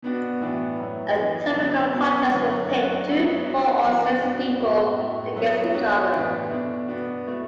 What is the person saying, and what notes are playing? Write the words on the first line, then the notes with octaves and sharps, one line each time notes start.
A typical contest would pit two, four or six people against each other.
B2 B3 D4 F#4
A2 E3 B3 D4
A2 F#3 B3 E4
E3 B3 D4
D3 F#3 B3 E4
B2 F#3 B3 F#4
D3 F#3 B3 E4
F#3 A3 D4 F#4
F#3 B3 E4
F#3 B3 D4 F#4
E3 D4 F#4
B2 B3 D4 F#4
A2 A3 F#4
A2 A3 E4
F#3 B3 E4
F#3 B3 D4 F#4
A2 E3 B3 D4
B2 A3 D4
B2 B3 D4 F#4
B2 A3 E4